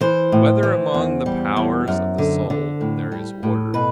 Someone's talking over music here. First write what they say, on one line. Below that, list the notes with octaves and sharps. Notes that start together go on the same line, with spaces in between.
Whether Among the Powers of the Soul There Is Order?
E3 C5
A2
E3
E2
G3
E2
F#2
D3
D3
A2
G3
A2
B2 B4